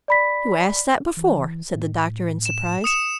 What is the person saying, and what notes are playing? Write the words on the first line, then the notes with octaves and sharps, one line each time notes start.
"You asked that before," said the doctor in surprise.
D5 B5 B6
E3
A2
E7
D#6 C#7 E7